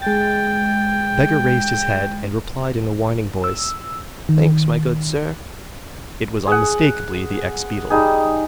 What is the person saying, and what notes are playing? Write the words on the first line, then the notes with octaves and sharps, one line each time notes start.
The beggar raised his head, and replied in a whining voice, "Thanks, my good sir." It was unmistakably the ex-beadle.
G#3 G5 A6
E6
D#3
G#4 F#5
G3 D#4 G#4